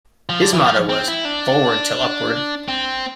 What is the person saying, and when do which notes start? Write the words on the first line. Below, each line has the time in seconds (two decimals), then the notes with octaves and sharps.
His motto was Forward 'Till Upward.
0.29 F3
0.42 D3
0.54 E3
0.65 F3
0.89 C4
1.08 E4
1.25 D4
2.68 C4